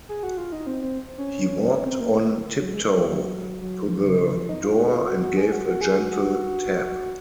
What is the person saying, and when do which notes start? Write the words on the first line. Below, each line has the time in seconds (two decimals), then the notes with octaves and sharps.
He walked on tiptoe to the door, and gave a gentle tap.
0.09 G#4
0.23 F#4
0.37 F4
0.52 D#4
0.67 C4
0.82 C4
1.18 C#4
1.84 C4
2.00 A#3
2.61 F#3
2.74 G#3
2.88 G#3
2.98 F3
3.02 F#3
3.61 F#3
3.83 F3
4.05 C#3
4.20 C#3
4.35 F3
4.49 D#4
4.64 F4
4.78 F#4
4.93 F4
5.07 F#4
5.22 F#4
5.37 G#4
5.52 F#4
5.66 F#4
5.81 G#4
5.96 F#4
6.11 F#4